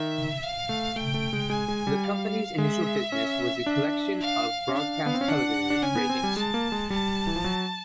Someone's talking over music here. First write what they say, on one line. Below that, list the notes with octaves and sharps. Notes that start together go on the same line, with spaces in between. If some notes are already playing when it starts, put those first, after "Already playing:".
The company's initial business was the collection of broadcast television ratings.
Already playing: D#3 E5
F5
A3
A3 G5
A3
G#3
G#3 G#5
G#3
G3
F5
G#3 E5
C#4
D4
F5
C#4
D4 F5
B3
C4
C#4
D4 F#5
D4
C#4 G#5
B3
C4
G3
G#3 A5
A#3
G#3
G3 A5
E3
F3
F#3